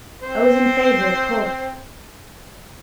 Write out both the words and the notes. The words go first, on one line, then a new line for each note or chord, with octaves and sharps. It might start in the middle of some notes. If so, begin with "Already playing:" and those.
I was in favour at Court.
C4 C5